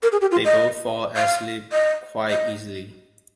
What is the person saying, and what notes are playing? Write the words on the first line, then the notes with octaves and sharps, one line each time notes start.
They both fall asleep quite easily.
A#4
G#4
G4
F4
D#5
F5
D#5
D#5